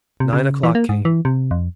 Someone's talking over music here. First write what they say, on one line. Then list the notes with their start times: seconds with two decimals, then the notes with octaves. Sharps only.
Nine o'clock came.
0.20 C3
0.33 C#3
0.63 E3
0.75 A#3
0.89 G#2
1.05 E3
1.25 C3
1.51 F2